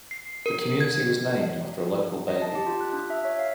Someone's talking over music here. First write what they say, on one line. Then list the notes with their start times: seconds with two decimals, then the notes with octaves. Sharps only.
The community was named after a local baby.
0.11 C7
0.46 A#4
0.81 G#6
2.28 D#5
2.42 A5
2.55 G4
2.67 F4
2.81 F#6
2.93 D4
3.10 E5
3.25 C#5
3.39 F5